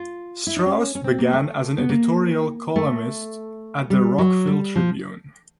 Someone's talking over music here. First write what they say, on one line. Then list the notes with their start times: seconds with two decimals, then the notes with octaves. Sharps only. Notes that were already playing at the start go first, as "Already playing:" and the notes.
Strauss began as an editorial columnist at the "Rockville Tribune".
Already playing: F4
0.47 E4
0.56 D#4
0.66 C#4
0.95 C#4
1.04 C4
1.18 A#3
1.33 A3
1.78 B3
1.89 A#3
2.76 A3
3.90 G3
4.18 F#3
4.47 G3
4.76 F3